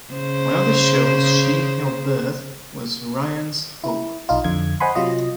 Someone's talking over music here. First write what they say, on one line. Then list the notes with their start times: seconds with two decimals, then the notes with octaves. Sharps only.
One of the shows she helped birth was "Ryan's Hope".
0.13 C#3 C5
3.84 E4
4.29 B1 D#4 F4
4.44 F2 D3 G#6
4.80 C5 D#5 F#5 G#5 B5 C6
4.95 C3 F#3 F4 D#5